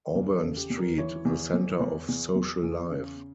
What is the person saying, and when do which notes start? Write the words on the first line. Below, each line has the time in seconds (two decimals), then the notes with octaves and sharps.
Auburn Street, the centre of social life.
0.15 E2 A#4
0.37 A4
0.43 C#3
0.57 G4
0.70 E2
0.78 A#4
0.98 E3 C#5
1.25 E2
1.54 E2
1.80 E2
2.08 E2
2.35 E2
2.63 E2
2.91 C#3